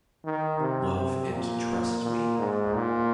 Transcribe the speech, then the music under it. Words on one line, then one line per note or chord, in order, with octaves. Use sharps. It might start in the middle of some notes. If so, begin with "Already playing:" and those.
Love and trust me.
D#3
C3
C3
A#2
A#2
G#2
A#2